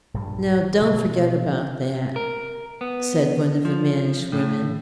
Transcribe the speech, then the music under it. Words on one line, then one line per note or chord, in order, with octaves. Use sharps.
"Now, don't forget about that," said one of the mannish women.
A#1 G2 G3
B2 D3 F3 G3
B2
A#4
B3
F3
A2